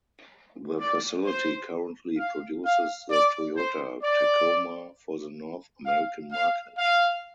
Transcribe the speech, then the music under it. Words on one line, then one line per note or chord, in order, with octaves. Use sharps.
The facility currently produces the Toyota Tacoma for the North American market.
D5
C5
F5
F5
D5
C5
D5
F5
F5
F5